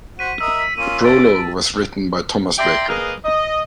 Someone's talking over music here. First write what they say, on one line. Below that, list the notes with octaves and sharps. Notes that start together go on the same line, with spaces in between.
The prologue was written by Thomas Baker.
F#4 C5 F#5 B6 D#7
A#4 D#5 E5 D#6 E6
B6
A#3 C#4 F4 D#7
A6 D7
A5
D5 E5 G5 A#5 C6
A#3 G#4 A#4 B4 D#5
D#5